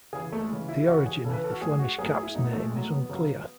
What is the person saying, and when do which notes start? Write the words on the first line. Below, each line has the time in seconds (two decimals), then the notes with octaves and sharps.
The origin of the Flemish Cap's name is unclear.
0.13 C#3 E3 G#4
0.32 A3
0.40 G#3
0.50 C#3 E3
0.69 E4
0.87 C#3 E3 F#4
1.06 G#4
1.24 C#3 A4
1.28 E3 B4
1.43 A4
1.52 F#4
1.61 A2 F#3 G#4
1.79 F#4
1.98 A2 F#3 G#4
2.11 G#4
2.23 E4
2.35 A2 F#3 D#4
2.44 B3
2.53 A3
2.63 G#3
2.72 A2 F#3
2.91 B3
3.09 C#3 F#3